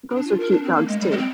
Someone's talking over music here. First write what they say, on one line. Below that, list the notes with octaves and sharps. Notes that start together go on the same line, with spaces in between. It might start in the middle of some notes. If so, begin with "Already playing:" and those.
those are cute dogs too.
C4
D4
F4
A#4
D4
C4
A#3
G#3
G3
G#3
C4